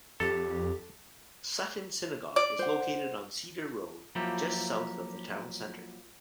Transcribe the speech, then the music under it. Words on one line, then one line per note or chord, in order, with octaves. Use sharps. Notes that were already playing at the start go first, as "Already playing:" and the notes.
Sutton Synagogue is located on Cedar Road, just south of the town centre.
F2 G4 A4
D5
C5 F#5
F3 F#3 A#3 E4 G4